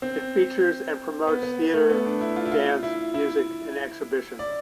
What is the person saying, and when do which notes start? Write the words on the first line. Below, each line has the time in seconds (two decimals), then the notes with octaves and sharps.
It features and promotes theatre, dance, music and exhibitions.
0.02 C4
1.27 B3
1.43 B3
1.74 A3
1.90 B3
2.05 D4
2.21 E4
2.36 F4
2.45 E4
2.52 F4
2.83 E4
3.14 E4
4.39 D5